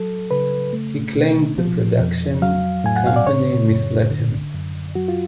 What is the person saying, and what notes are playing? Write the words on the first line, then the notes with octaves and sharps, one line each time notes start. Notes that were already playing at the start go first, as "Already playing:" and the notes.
He claimed the production company misled him.
Already playing: F#3 A4
C#3 B4
A3
B2
F3
F2
F#3 F5
A2 G#5
F#5
F5
D5
C#3 C#5
F#2
D3
F#2
F#3 F#4
F4